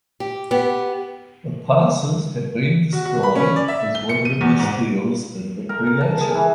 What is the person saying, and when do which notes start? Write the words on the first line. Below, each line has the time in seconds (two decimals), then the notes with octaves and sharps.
The passes have been described as one of the best deals in recreation.
0.20 G4
0.51 B3 G4
2.93 F#4
3.05 F#4
3.23 B5
3.35 C#4
3.56 D5
3.68 E5
3.95 G7
4.09 C#7
4.25 D#7
4.41 E2
4.59 G#2
5.69 A#4
5.87 A#4
6.01 A5
6.21 G#4
6.35 E3